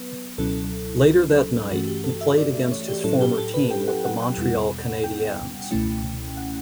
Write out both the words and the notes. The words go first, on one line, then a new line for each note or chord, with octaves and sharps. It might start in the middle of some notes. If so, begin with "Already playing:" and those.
Later that night, he played against his former team with the Montreal Canadiens.
Already playing: F#3 B3 B4
C#2 B2 F#3 C#4 E4 A4
G2 E3 A3 C#4 F#4
G4
A4
E5
D5
D5
C#5
G4
A2 F#3 C#4 E4 A4
G4
A4
B4
G5
F#5
F#5
F#5
E2 B2 G3 B3 E4
G5
C#2 B2 A3 C#4 E4
F#5